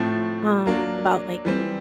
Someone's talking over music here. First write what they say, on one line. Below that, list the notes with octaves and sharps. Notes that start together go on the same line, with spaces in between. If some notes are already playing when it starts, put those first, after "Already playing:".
um, about, like,
Already playing: A2 F3 A3 C4
F#3 A#3 D4
E3 G3 C4